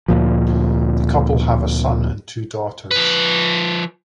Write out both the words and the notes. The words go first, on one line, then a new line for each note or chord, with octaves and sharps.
The couple have a son and two daughters.
D2 A#2 F3
F3 B4